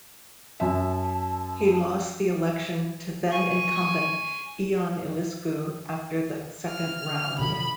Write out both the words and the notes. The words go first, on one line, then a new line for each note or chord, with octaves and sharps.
He lost the election to then incumbent Ion Iliescu after the second round.
F#2 E5 A5
G#5 C#6
F6
B2 D3 F3 B5